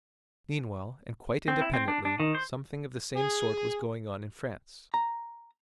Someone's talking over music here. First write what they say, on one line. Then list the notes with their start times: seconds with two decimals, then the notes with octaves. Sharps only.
Meanwhile, and quite independently, something of the same sort was going on in France.
1.48 C4
1.61 E4
1.74 C4
1.88 D4
2.05 D4
2.20 D#3
2.35 C5
3.16 G#4
4.94 A#5